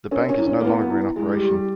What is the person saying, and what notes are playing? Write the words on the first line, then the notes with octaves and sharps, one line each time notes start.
The bank is no longer in operation.
C#4 A#4
C#4
E4
C#4
A#3
B3 E4
B3
E4
G#3 E4
G3
G4
G3